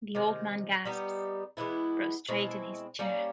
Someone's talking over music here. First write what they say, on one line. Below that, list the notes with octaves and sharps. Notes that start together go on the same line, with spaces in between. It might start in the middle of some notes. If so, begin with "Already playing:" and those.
The old man gasps, prostrate in his chair.
C3 D#3 G#3
G3 B3 D#4 G4
E3 G#3 B3 E4
B2 G#3 C4 E4
G3 A#3 C#4